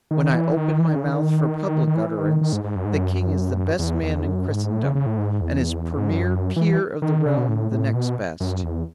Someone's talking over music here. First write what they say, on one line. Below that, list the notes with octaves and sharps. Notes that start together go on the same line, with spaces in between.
When I open my mouth for public utterance, the king is the best man in Christendom, and his premier peer of the realm the next best.
D#3
E3
D#3
E3
D#3
C#3
D#3
D#3
E3
D#3
D#3
G#2
G#2
F#2
G#2
F#2
E2
E2
F#2
G#2
A2
C#3
C#3
A2
G#2
E2
G#2
F#2
E3
D#3
C#3
B2
A2
A2
B2
F#2
E2